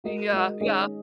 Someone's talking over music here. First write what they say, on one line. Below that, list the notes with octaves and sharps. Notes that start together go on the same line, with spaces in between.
Yeah, yeah.
G#3 F#4 A#4 D#5
G#3 F#4 A#4 D#5
D#3 G#3 C#4 G#4 D#5